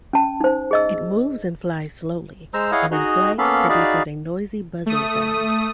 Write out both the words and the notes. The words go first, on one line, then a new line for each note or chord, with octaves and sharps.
It moves and flies slowly, and in flight produces a noisy buzzing sound.
C#4 A5
D#4 C5
G#4 D#5 E6
G#3 C5 A#5 E6
E4 G#4 C#5 D#5 F5 F#5
D#4 F#4 G#4 D#5 A#5
A#3 B3 C#4 A4 F5 B5
D#4 F#4 G#4 D5 F5 B5
A3 D#6